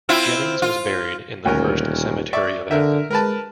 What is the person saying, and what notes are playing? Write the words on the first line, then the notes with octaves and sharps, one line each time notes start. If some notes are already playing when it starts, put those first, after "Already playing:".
Jennings was buried in the First Cemetery of Athens.
C4 E4 F4
F4
D#1 D2 C#4 A#4
D5 E5 C#6
D3 A#4 E5
G#3 A#4 B4 A5